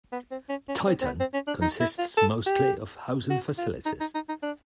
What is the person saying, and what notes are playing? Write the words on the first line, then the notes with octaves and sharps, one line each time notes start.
Titan consists mostly of housing facilities.
B3
C4
C#4
C#4
C4
C4
B3
C4
C#4
D4
D#4
E4
F4
A4
G4
F#4
F4
D#4
D#4
D#4
D#4
D4